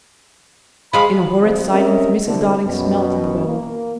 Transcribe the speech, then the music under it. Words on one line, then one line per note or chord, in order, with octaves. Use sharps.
In a horrid silence Mrs. Darling smelt the bowl.
F3 G#3 F5 B5
C2 F3
C4 C#4 G4 A#4 D#5 E5
C2 D3
F#2 B2
A#3